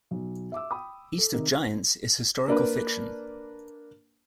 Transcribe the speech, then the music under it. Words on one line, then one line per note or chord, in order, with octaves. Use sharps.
"East of Giants" is historical fiction.
B1
E5 D6 E6
G5 B5 D#6
A4
C3 D#3 A#4
A#3 D4 B4